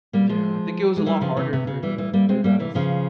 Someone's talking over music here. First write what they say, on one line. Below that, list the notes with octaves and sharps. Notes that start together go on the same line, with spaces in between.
Yeah, I think it was a lot harder for, you know, you guys
G3 A#3
F3 G#3
G#3
E3 G3
C#3 F3
C3 E3
C3
C#3
E3 G3
E3 G3
G3 A#3
G#3 C4
G3 A#3
C3 E3
C#3 F3